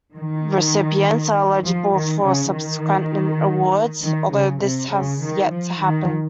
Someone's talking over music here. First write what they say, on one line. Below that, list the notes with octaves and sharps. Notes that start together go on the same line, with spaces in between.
Recipients are eligible for subsequent awards, although this has yet to happen.
D#3
F3
D#3
C#3
D#3
D#3
C#3
C3
C#3
D#3
F3
D#3